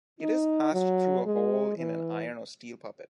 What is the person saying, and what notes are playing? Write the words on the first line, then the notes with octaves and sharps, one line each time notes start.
It is passed through a hole in an iron or steel puppet.
D#4
F#3
G#3
E3